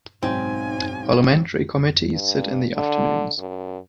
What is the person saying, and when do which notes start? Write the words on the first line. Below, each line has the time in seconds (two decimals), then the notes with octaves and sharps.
Parliamentary committees sit in the afternoons.
0.23 B1 G#2 C4 D#4 G5 G#5
2.12 G2
2.75 D3
3.38 F#2